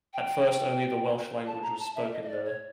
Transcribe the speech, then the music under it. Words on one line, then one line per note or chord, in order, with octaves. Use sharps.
At first, only the Welsh language was spoken there.
G5
A5
A#5
A5
E5
D#5
D#5
D5
C#5